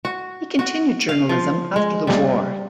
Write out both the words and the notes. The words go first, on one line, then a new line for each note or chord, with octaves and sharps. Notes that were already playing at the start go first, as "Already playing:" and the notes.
He continued journalism after the war.
F#4
F#4
F5
F3
G#3
G3